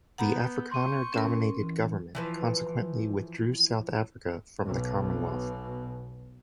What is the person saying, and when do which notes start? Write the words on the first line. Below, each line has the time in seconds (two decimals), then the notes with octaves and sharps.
The Afrikaner-dominated Government consequently withdrew South Africa from the Commonwealth.
0.18 B3 F#5 A#5 B5 G6
0.71 C6 C#6 D#7
1.14 C#4 A#4
1.59 E3
2.15 E3 F3 B4
4.65 B1 B2